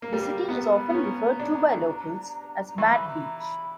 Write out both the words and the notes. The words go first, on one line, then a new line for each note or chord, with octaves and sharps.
The city is often referred to by locals as Mad Beach.
A#3 A#5
G3
A#3 G5
B3 A#5
B5
B3
C#4 A#5
D4
A#5
E3 B5 C#6
A#5
B5